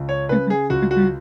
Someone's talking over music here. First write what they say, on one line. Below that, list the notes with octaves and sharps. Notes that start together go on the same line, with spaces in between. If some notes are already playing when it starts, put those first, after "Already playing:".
Mhm, mhm.
Already playing: C#2
C#5
C#3 B4
G#4
C#2 F#4
F#4